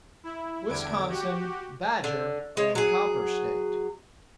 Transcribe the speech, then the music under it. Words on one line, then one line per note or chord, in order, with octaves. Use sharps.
Wisconsin, Badger and Copper State.
E4
E2 D3 G3 G#6 D7
F#4 G4
D3
G#3 C#5
F#3 G#4